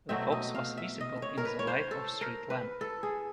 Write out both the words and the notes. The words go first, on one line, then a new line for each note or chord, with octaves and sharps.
The fox was visible in the light of the street lamp.
B2 F#3 A3 C4 E5
D#5
F5
E5
D#5
C#5
A#4
B4
C#5
C5
A4
A#4
B4
A4
G#4